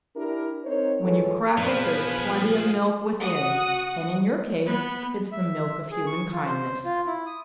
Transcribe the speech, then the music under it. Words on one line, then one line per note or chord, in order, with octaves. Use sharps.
When you crack it there's plenty of milk within--and in your case it's the milk of human kindness.
D4 E4 G4 A#4
C4 D#4 A#4 C5 C#5
G#2 E3 A4 C#5
A#2 F3 B3 D4 G#4 A#4 F5
F#4 F#5 D#6
B3
E5
G#4
C#6
F4
C5
F4
E4
D#6